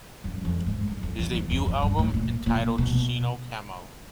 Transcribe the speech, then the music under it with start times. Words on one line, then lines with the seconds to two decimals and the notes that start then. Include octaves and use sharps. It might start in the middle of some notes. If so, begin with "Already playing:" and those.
His debut album entitled Sino Camo?
0.24 F#2
0.45 F2
0.66 G#2
0.87 F#2
1.03 F2
1.19 E2
1.35 E2
1.51 F2
1.66 F#2
1.82 G2
1.99 A2
2.14 A#2
2.46 A#2
2.78 B2